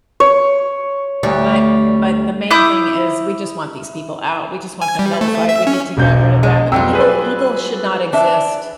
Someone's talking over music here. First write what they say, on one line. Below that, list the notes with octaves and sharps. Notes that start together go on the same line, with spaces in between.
but but the main thing is we just want these people out. We just want them nullified. We need to get rid of them. Evil evil should not exist
C#5
D2 G3
E4 D6 D#6 G6
G#5
G3
A3
E5
C#4
E1 B1 G6
G#3
F2 F#3 G3 F4 G5 E6
G#4 B4 D5
D4 E5